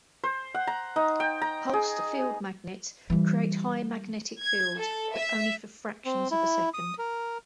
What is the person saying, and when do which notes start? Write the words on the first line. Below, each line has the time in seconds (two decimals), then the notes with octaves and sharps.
Pulsed field magnets create high magnetic fields, but only for fractions of a second.
0.24 C5
0.55 F#5
0.67 A#5
0.96 D#4
1.20 G5
1.42 A#5
1.73 G#4
3.10 E3 G3
4.40 G#6
4.76 A4
5.13 E5
6.06 C4
6.31 E4
6.74 D#6
6.98 A#4